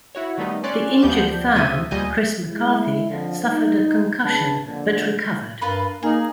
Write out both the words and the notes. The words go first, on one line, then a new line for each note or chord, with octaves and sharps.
The injured fan, Chris McCarthy, suffered a concussion but recovered.
E4 F#4 C#5
D#3 G3 A3 B3 D#4
C#4 D5 C6 F#6
D2 F3 B3 D4 G4 G6
D2 C3 E5 D#6 D#7
D2 A#2 G3 D#5 G#5 G6
G#3 E4
F2 D3 F3
D#4
C#3 D4 B4 A5
F2 A#2 D3
G2 F4 A#4 B4 B5
A#3 D#4 G#4 A#4